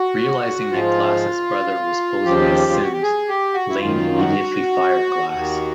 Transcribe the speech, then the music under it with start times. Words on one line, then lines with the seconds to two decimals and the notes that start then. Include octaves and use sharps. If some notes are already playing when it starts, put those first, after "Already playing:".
Realizing that Glass's brother was posing as Sims, Lane immediately fired Glass.
Already playing: F#4
0.72 G#2 F3 F4
2.25 D#2 C#3 F3 G4
2.72 F4
2.82 F#4
2.92 G4
3.03 G#4
3.29 G4
3.54 F#4
3.70 E4
3.79 F#2 D#3 F4
4.18 F#4
5.33 D#2 D#3